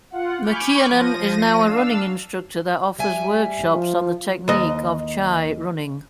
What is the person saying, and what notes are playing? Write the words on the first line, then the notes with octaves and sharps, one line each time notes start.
McKiernan is now a running instructor that offers workshops on the technique of ChiRunning.
F4 F#5
G#5 B5 C#6 D6 F6 G6
F3 A#6 D#7
D4 F5 E6
G3 E5 G#5
F3
D#2 D#5